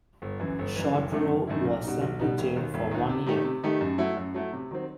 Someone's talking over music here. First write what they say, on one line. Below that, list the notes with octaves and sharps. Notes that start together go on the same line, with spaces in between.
Chodorow was sent to jail for one year.
G1
F#2 E3
G1
F#2 E3
F#1
F#2 D#3 A3 E4
F#1
F#2 D#3 A3 E4
B1
B2 G3 D#4
B1
B2 G3 D#4
E1
D#2 D#3
E1
D#2 D#3
C3
D#3 A3 D#4 G4
C3
D#3 A3 D#4 G4
F#2
F#3 A3 E4
F#2
F#3 A3 E4
C3
D#3 F#3 C4